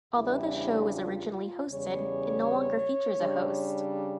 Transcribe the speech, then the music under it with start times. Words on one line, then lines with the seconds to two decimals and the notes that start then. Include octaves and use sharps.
Although the show was originally hosted, it no longer features a host.
0.17 E2 C#3 G3 D4 E4
0.93 F4
1.30 F4
1.68 E2 C#3 G3 C#5
3.20 C#3 G3 D4